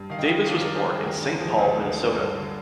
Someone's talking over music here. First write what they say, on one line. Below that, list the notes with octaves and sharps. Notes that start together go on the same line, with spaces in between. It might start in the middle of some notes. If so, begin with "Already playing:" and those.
Davis was born in Saint Paul, Minnesota.
Already playing: G2
D#3 F5
D#5 G5
G3
D4 D5 F5
A#4 D5
G2
G#4 C5
D#3 G4
D2 G4 A#4
D3
F3 G#4 C5
D2 C5 D#5
D2
D3
G2
D3